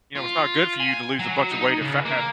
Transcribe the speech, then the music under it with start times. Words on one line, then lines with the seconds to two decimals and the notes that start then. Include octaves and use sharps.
you know, it's not good for you to lose a bunch of weight at f at,
0.16 F4
0.80 G#5
1.19 F#3
1.51 D#4
1.81 C#2
2.05 A#3